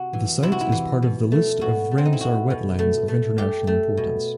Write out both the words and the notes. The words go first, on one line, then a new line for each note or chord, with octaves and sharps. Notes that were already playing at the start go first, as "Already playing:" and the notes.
The site is part of the List of Ramsar wetlands of international importance.
Already playing: C3 F#4
E3
C3 E4
F#4
E4
E3
B2
A3
B2 F#4
A3
C4
D#4
E4
B2 F#4
B2
A3
A3
A3 G4
A3
B2